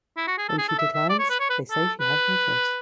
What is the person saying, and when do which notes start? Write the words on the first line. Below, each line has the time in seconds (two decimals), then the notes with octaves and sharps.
When she declines, they say she has no choice.
0.17 E4
0.27 F#4
0.38 G#4
0.49 A4
0.58 G#4
0.68 A4
0.78 E5
0.94 E5
1.09 D5
1.19 C#5
1.30 B4
1.40 C#5
1.50 B4
1.71 A4
2.00 B4